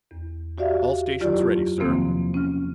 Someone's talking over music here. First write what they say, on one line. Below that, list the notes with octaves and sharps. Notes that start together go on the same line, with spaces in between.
"All stations ready, sir."
E2
F#4 G4 D5 E5 F5
F#2 F#3 E4 F4 G4 D5
E2 C3 D#3 F3 A#3 C4
C#4 F6